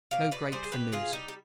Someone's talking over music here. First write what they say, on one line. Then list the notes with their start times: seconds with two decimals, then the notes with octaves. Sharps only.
No great for news.
0.11 B2 D5 F5
0.31 B2 B4 D5
0.52 G3 G#4 C5
0.64 G#4
0.72 B2 G4 B4
0.92 B2 F4 G#4
1.12 G3 D#4 G4
1.28 G4